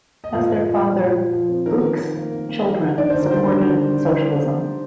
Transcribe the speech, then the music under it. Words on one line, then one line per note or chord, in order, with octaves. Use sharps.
As their father, Fuchs's children supported socialism.
D#5
A#2 F5
A#2
A#2
F3
A#2
F3
F3
C4
D#3 A#4
D#3
D#3
A#3
A#3
A#3
A#3
D#3
D4 D5
D3 C5
A#4
G3 C5
D4
D3
D3
D3
D3